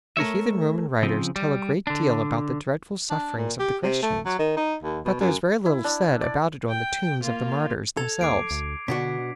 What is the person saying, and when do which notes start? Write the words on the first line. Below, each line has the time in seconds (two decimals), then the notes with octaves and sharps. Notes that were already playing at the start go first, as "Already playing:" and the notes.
The heathen Roman writers tell a great deal about the dreadful sufferings of the Christians, but there is very little said about it on the tombs of the martyrs themselves.
0.17 A3 A#4 C#5 E5
1.03 C#3 F3 C4
1.36 G3
1.87 D3 D4
3.10 D4
3.37 A#2
3.59 G4
3.83 C3
4.02 A3
4.25 F#3
4.39 D#3
4.57 D#4
4.83 D#2
5.05 B2
5.20 F#2
5.66 E4
5.84 D4
6.21 D5
6.68 G5
7.22 A#3 F4
7.97 A4 G#6 F7
8.21 D#2 D6 C7 D7
8.51 D2
8.88 B2 D3 D4 F#4 B6